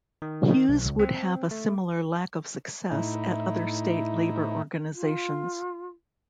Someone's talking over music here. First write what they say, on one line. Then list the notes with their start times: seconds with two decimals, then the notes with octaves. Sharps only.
Hughes would have a similar lack of success at other state Labor organisations.
0.22 D#3
0.51 D#3
0.69 B1
0.85 C#2
0.99 C4
1.51 A3
2.91 A2 D#4 E4
4.94 F4